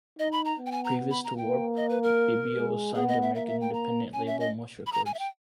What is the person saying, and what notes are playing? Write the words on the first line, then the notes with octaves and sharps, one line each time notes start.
Previous to Warp, Bibio was signed to American independent label Mush Records.
D#4 D#5
B5
A#5
B3
G5
G#5
A#5
B5
A#5
A#3 G5
D#5
B4
A#4
G#3
B3 G#4
D#5
E5
A#3 E5
E5
G5
A#5
C#4 G#5
E5
D#5
B5
A#5
G#5
E5
G5